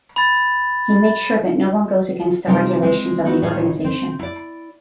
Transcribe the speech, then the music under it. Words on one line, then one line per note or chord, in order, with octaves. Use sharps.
He makes sure that no one goes against the regulations of the organisation.
B5 A6
C3 G3 C4 D#4 F4 A#4
G#3 C4
A3 B3 D4 D#4 F#4
A2 D#3 F4 G#4
C4
E4 D5